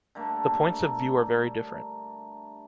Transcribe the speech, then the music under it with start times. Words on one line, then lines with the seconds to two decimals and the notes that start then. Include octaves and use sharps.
The points of view are very different.
0.15 D3 G3 A3 A#3